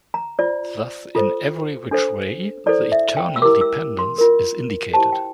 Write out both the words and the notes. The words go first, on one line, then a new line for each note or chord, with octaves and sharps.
Thus in every which way, the eternal dependence is indicated.
A#5
F4 C5 D5
F4 A4 C5
D4 A4 C5
E4 A4 C5 D5
E5
G5
E6
E4 G4 A#4 D6
E6
C6
F4 A#4
E4 G4 C5 A5
G5